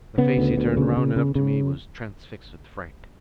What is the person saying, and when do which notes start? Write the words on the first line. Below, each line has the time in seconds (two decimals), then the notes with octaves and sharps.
The face he turned round and up to me was transfixed with fright.
0.18 C#3 B3
0.38 D2
0.57 D2
0.77 C#3
0.97 C#3
1.16 C#3
1.35 C#3